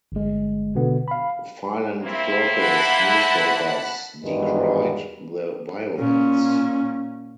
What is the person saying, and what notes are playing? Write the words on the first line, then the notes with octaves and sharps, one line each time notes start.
Philanthropist newspapers decried the violence.
G1 G#3
B2 D3 B3
F5 B5
A#3 C4 E4
F#5 A5 B5
E2 G2 D#3 G#3 F#4 B4
A#2 C#4